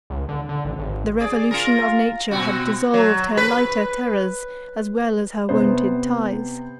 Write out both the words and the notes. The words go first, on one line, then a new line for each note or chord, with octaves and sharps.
The revolution of Nature had dissolved her lighter terrors as well as her wonted ties.
C#2
D3
D3
A1
G#1
G#4 D5
F4 A#4
B2 C4 F#4
F#3
B4
C3 B3 C5